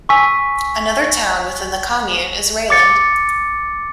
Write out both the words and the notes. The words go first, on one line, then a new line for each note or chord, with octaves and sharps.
Another town within the commune is Reuland.
G#5 C#6 E6 B6
D6 A6 C#7